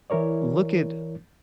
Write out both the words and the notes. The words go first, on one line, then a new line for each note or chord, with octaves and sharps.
Look at
E3 E4 A#4 C#5 D5